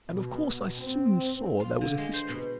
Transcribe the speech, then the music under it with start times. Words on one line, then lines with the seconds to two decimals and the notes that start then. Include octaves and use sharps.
And of course I soon saw there was a history.
0.12 B2
0.80 C4
1.60 F4
1.81 D3
1.98 G#3
2.14 C5
2.29 B2